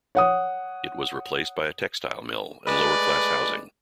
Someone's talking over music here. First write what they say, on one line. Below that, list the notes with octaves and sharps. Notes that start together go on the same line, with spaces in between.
It was replaced by a textile mill and lower-class housing.
C#5 F#5 D#6
G#3 A3 B4 D5